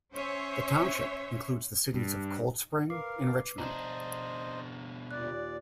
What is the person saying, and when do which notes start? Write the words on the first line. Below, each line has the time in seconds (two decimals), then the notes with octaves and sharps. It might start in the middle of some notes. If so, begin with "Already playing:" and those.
The township includes the cities of Cold Spring and Richmond.
0.12 C#4 C5 C#5 E5
1.94 G2
2.90 A#4 B4 F5 D6 C7
3.58 B2 D4 C5 D#5 A#5 C6
5.11 D#2 A#2 D5 F#6